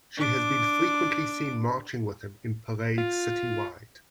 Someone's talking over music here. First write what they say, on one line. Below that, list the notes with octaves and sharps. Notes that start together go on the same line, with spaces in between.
She has been frequently seen marching with him in parades citywide.
D4 D6
F4